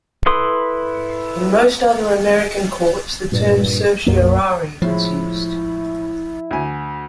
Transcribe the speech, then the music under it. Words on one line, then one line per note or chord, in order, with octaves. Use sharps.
In most other American courts, the term certiorari is used.
E4 A4 B4 C6 D#6
G2 A#2
B1 F#2 F#3 A#3
A2 F3 G#3 E4
D2 G#5